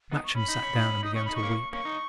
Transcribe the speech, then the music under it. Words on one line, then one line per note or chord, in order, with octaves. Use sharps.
Matcham sat down and began to weep.
B3 D#4
C#6
C#4 B5
D#4
C#4
D#4
C#4
D#4 D#6
C#4 C#6
D#4 B5
C#6
A#3 C#4
A#3 C#4 C#6
D#4